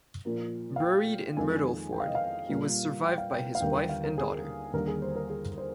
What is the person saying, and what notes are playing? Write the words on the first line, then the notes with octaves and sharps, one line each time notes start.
Buried in Myrtleford, he was survived by his wife and daughter.
A#2 F3 A#3
F5
G5
F2 D#3 G#3 G#5
G5
F5
D#5
F5
A#2 G3 A#3
G5
F5
G5
F5
D#2 D3 G3 A#3 G5
G5
F5
A#4
G#4
D#2 D3 G3 A#3 A#4
G#4
C5
A#4
G#4
C5